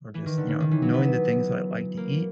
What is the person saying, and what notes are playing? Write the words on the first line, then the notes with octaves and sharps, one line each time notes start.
or just, you know, knowing the things that I like to eat,
E3
D#3
D3
C#3
D#3
E3
F#3
B3
A#3